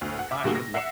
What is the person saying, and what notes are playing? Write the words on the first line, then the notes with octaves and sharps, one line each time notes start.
well, gosh, I'd lo
D2
F#5
E5 F#5 D6
A2 D3 G3 A#3 F#4 G#4
A#6
E5 F#5 C7 C#7 E7